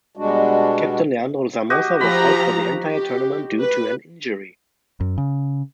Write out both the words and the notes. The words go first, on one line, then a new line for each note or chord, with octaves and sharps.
Captain Leandro Somoza was out for the entire tournament due to an injury.
B2 G3 G#3 D4 F#4
F#4 G4 D#5
F3 G4 A#5 B5
G4
B4
F#2
C#3